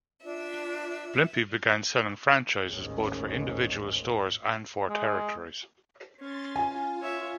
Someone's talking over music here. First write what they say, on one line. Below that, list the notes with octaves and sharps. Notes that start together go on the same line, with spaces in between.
Blimpie began selling franchises both for individual stores and for territories.
D4 F4 E5
A1 D#2 G#2 G#3 C#4
G#3
C#4 C6 A6
F4 G#5
C#5 E5